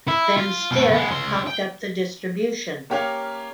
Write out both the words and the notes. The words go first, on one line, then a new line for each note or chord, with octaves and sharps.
Then Stiff cocked up the distribution.
E4
F4
B2 A3
G#3 B3
C#4 C6
G5
A#3 C#4 G4 A#4 C#5 F5